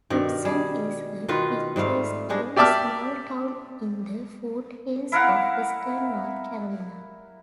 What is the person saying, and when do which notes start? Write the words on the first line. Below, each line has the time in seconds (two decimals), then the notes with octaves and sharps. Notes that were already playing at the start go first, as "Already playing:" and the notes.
Hudson is a picturesque small town in the foothills of Western North Carolina.
0.10 G2 B2 D#3 D5
0.45 G3 G#4
1.28 B2 D#3 F4 B4
1.76 G#2 G3 A3 F5
2.30 G3 G#3 D4
2.56 G4 D5 E5 A5 D6 F6
5.12 E4 A#4 F5 F#5